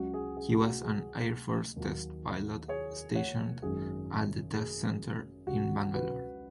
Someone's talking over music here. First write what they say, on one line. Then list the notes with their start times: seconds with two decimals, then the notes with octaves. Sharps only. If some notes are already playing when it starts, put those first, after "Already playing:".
He was an Air Force test pilot stationed at the test center in Bangalore.
Already playing: C#2 C#3 F#3 F#4
0.14 G#4
0.37 G#4
0.60 F#4
0.83 G#4
1.76 D#2 D#3 F#3
2.68 G#4 C#5
3.15 C#5 F#5
3.62 G#1 F#2 F#3 G#4
4.54 G#4
5.47 C#2 C#3 F#3 F#4
5.93 F#4 B4